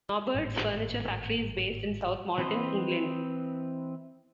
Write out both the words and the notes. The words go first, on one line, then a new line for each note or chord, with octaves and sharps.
Norbord's furniture factory is based in South Molton, England.
G#1 A2 C3 G3
E3 C4 B4 C5 D#5